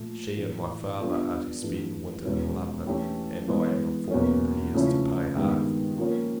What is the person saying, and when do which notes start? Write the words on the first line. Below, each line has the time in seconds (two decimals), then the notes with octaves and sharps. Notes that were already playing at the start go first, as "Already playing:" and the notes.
She, and my Father, are to spend the winter in London; and, I am informed, he is to pay half.
Already playing: A#2 F3 A3
0.37 A2 E3 G3
0.99 G3 B3 D4 F4 A4
1.62 G2 E3 A3
2.24 E2 B2 G#3 C#4 E4
2.86 E3 A3 C#4 E4 G4
3.48 E3 G#3 B3
4.11 E2 B2 F#3 A#3 C#4
4.74 C#3 F3 A3 C#4 E4
5.36 G2 D#3 G#3 B3
5.98 F3 A#3 C#4 F4